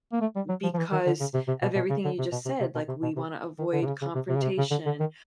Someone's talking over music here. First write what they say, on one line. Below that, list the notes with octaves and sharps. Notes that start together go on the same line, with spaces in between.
because of everything you just said, like, we wanna avoid confrontation,
A#3
A3
G3
F#3
F3
F3
E3
D#3
D3
C#3
C3
C3
B2
B2
C#3
D3
C3
B2
C3
C3
B2
C3
B2
C3
D#3
D3
C3
C#3
C#3
C3
C3
C#3
C3
C#3
D3
D3
D#3